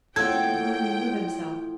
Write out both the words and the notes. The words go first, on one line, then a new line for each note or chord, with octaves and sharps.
But he didn't want to remove himself.
A2 F3 A4 F#5 G5 G#6